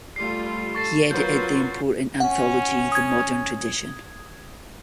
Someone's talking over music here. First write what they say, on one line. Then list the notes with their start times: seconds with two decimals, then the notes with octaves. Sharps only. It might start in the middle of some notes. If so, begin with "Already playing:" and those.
He edited the important anthology, "The Modern Tradition".
0.16 G3 A3 F4 C7
0.75 A4 C#6 A6 C7
1.11 F#3 A#3 F4 B4 G6
2.20 C#4 F#5
2.92 D#6 G#6